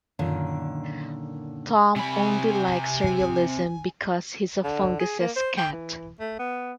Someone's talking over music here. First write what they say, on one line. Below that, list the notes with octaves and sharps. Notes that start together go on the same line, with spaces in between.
Tom only likes surrealism because he's a fungus's cat.
F#2 A#2 D3 D#3
C3 G#5 B5
D3
G#4
A#3
C5
G5
E3
A3
B3